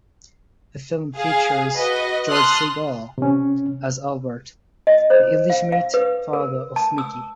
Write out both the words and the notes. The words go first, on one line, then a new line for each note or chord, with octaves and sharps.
The film features George Segal as Albert, the illegitimate father of Mikey.
G#4 F5
F#4 B4 D#5
A5 C6 D#6 F6 F#6
C3 C#4
D#5
C5
F5
F5
B4
A#4
A5
E6